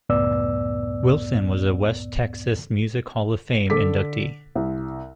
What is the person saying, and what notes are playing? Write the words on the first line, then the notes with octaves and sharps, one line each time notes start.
Wilson was a West Texas Music Hall Of Fame Inductee.
C#2 F#2 A2 B3 D5 E6
D3 A4 D6 B6
C2